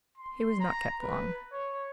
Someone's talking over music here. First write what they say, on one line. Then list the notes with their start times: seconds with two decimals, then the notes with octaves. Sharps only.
He was not kept long.
0.18 C6
0.60 A#5
1.02 B4
1.52 C#5